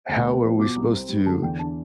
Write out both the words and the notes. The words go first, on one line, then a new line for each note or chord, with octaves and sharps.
how are we supposed to
D2
B3
F3
B2 D6
C2
C4
G3
D3 A5
E2 G5
D4 A5